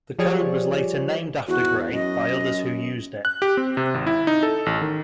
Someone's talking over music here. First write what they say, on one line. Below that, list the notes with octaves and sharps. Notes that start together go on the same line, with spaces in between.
The code was later named after Gray by others who used it.
F3 G3 G#4 C#5 D5
E2 F#4
F#2 D#5
F#6
G4
C4
C3
G#1
E4
D#4
A4
A1
D#3